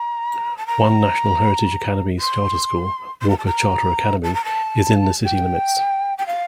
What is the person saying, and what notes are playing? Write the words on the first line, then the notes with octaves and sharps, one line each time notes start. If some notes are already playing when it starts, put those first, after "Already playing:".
One National Heritage Academies charter school, Walker Charter Academy, is in the city limits.
Already playing: A#5
A5
A#5
C6
C6
A#5
A5
A#5
A5
A#5
A5
G5
G5
F5